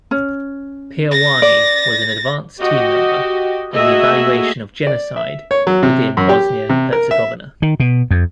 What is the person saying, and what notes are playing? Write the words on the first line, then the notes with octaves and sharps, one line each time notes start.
Peerwani was an advance team member in the evaluation of genocide within Bosnia-Herzegovina.
C#4
A6 A#6
D5
F#4 G4 D#5
A3 A#3 F#4 G#4 D#5 E5
D5
E5
C#5
F#3
C3
F#2
G4
C3
A#4
E5
D#3
B2
F2